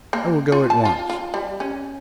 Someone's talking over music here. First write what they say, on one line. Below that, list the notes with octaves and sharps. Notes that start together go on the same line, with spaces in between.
I will go at once.
A#3
F4
A5
F4
F4
G3
C#4